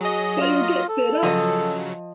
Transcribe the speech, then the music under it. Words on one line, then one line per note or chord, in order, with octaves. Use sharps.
But he’ll get fed up.
F#3 G#4 D#5
F4
A4
C#3 F3 F#3 D#5